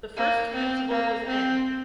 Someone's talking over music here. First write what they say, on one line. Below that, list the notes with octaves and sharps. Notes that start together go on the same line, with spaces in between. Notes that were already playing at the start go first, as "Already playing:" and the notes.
The first principal was En.
A#3
C4
A#3
C4